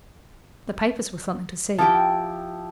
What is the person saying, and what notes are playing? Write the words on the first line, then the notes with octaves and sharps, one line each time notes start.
The papers were something to see.
F3 E4 G4 G5